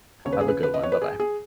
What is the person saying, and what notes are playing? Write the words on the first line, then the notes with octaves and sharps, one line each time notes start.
Have a good one. Bye-bye.
D#2 C#3 C#5
B4
G#4
B4
B4
D#5
C#5
B4
G#4
G#4